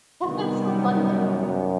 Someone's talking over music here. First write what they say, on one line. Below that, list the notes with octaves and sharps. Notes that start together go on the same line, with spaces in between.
That's so fun, though.
G2 C3 D#3 G3 B3
F#2
F#2